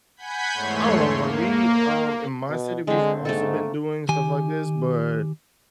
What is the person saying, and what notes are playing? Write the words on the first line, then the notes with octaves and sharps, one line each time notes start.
I don't know, it's, like, we um, in my city, we've also been doing stuff like this, but,
F#5 G#5 B5 G6 G#6 B6
E2 G#2 A3 C#5 C6
A#3
B2
D3 G#3 C4
G#2 A3 A#3 A4
D#3 G4 G#5